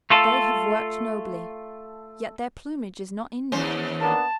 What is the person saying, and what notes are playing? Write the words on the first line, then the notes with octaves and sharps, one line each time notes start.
They have worked nobly, yet their plumage is not injured.
A3 F4 A4
D#2 C#4 C5
A#3 B3 D4 A5